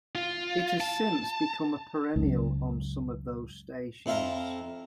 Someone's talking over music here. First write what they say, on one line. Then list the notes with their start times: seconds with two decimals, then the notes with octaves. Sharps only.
It has since become a perennial on some of those stations.
0.15 F4
0.80 A5
2.16 C#2 F#2
4.06 F2 E4 F4 E5 A#5